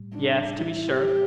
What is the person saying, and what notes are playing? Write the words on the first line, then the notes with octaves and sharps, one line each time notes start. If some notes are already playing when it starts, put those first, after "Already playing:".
"Yes, to be sure."
Already playing: A2 G3
D4
E4
G4